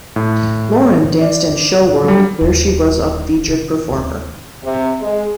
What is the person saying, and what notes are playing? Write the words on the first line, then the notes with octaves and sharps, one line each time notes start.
Loren danced in Show World, where she was a featured performer.
A2
C#5
D5
F#3 G3
D#1
C3
D#2
C3
G#3